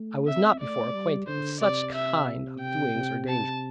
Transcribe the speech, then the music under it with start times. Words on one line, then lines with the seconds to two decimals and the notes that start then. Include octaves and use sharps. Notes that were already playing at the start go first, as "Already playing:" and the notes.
I was not before acquainted with such kind of doings or dangers.
Already playing: A3
0.27 C4 E5
0.60 A3 D5
0.94 G3
1.27 D3 C5
1.61 C3 D5
1.94 E5
2.62 G5
2.94 C3
3.28 C3 A5